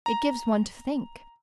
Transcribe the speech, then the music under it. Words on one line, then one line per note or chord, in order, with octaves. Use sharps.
It gives one to think.
A#5